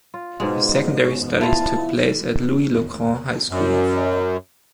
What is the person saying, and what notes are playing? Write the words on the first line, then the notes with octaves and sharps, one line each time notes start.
His secondary studies took place at Louis-le-Grand high school.
F4
G#2 B2 G#3 G#4
E4 F4 A5
F#2